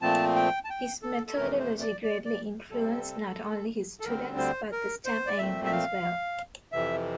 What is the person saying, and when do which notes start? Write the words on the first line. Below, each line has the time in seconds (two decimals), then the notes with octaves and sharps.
His methodology greatly influenced not only his students, but the stammaim, as well.
0.01 A#2 F3 A3 C4 A5
0.36 G5
0.64 A5
0.70 G5
1.02 A4
1.27 A4
1.36 F2 C3 E3 A3 A#4
1.59 C5
1.81 D5
2.03 D5
2.25 D5
2.70 C3 G3 C4 A4
4.00 A4
4.05 D2 D3 G3 C4 A#4
4.38 C5
4.72 A#4
5.05 C5
5.27 D5
5.38 A#2 A3 C4 E5
5.65 E5
5.72 F5
6.72 F2 C3 E3 E5